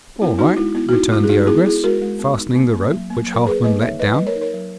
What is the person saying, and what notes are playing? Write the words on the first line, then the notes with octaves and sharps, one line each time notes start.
'All right,' returned the ogress, fastening the rope which Halfman let down.
B3 E4
D#4 F#4
G#3 E4
B3 E4
F#4
D#4 E4
G#3 E4
G#4
G#3 D#4 F#4
B3 E4 G#4
B3 E4 G#4
G#3 F#4 A#4
G#3
B3
D#4
A#3
A#3
F#3
A#3
F#3
A#4
A#3 G#4 B4
A#3 B4 D#5
D#4 C#5 E5
F#3 B4 D#5
A#3 B4 D#5
A#4 C#5
D#4
A#4 C#5
F#3